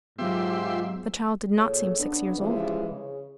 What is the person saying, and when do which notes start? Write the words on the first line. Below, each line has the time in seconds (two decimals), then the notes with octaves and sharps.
The child did not seem six years old.
0.19 G#2 F#3 B3 F4 G4 E5 C6
1.57 A#2 G#4 A4 C#5
1.99 C#3 B3 D4
2.39 C#3 E3 F3 G3 G#3
2.90 C#3